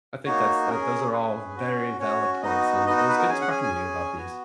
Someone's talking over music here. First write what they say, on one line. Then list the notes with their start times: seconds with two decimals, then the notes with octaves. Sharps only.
I think that's that those are all very valid points, and it was good talking to you about these.
0.25 A#3 D#4 F#4 C#5
0.69 C#4 G#4 A#4
1.12 C#4 G#4 B4
1.56 C#4 F#4
1.99 C#4 F#4 C#5
2.42 B3 D#4 F#4 D#5
2.86 B3 D#4 F#4 D#5
2.97 D#5
3.09 B4
3.19 A#4
3.29 C#4 G#4 G#5
3.41 F#5
3.51 G#5
3.63 G#5
3.74 C#4 G#4
4.16 B3 F#4